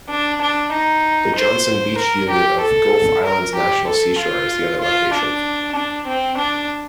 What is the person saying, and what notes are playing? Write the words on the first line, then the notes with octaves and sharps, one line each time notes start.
The Johnson Beach Unit of Gulf Islands National Seashore is the other location.
D4
D4
D#4
C5
A#4
G4
A4
A#4
G4
A4
F4
F4
D4
D4
C4
D4